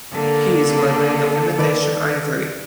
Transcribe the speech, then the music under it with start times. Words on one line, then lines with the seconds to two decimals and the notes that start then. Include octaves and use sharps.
Keys were made of imitation ivory.
0.12 D3 A#3 A4
1.59 D#3 B4 D5